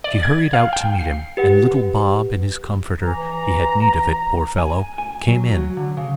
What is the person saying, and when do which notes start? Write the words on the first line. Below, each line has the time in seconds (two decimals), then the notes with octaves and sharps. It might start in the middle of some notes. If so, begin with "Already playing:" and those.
She hurried out to meet him; and little Bob in his comforter --he had need of it, poor fellow--came in.
0.04 D5
0.23 G#6
0.53 F5
0.73 G5
0.99 C7
1.37 G4 B4 F#5
3.05 E3 A#5
4.58 G#5
4.98 G#5
5.27 F#3
5.54 F#3
5.77 D3
5.97 C#3